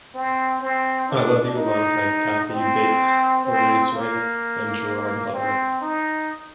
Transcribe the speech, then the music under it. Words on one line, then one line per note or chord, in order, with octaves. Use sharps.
I Love You alongside Kathy Bates, Hilary Swank, and Gerard Butler.
C4
C4
D4
D#4
C4
C4
A#3
C4
D#4